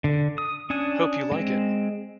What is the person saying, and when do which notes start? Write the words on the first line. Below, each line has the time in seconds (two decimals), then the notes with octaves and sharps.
Hope you like it.
0.04 D3
0.38 D#6
0.70 C#4 D4 G#5 D#6
1.32 G#3 C4